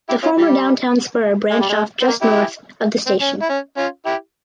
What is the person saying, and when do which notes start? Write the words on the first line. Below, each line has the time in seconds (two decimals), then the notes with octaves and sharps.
The former downtown spur branched off just north of the station.
0.09 E4 G4
0.23 C#4 F4
0.37 E3 G3
1.51 G#3
1.60 G3
1.70 G#3
2.01 C4
2.07 A#3
2.22 E4 G4
3.07 C4
3.21 C#4
3.42 E4
3.49 C#4
3.77 C#4 F4
4.06 E4 G4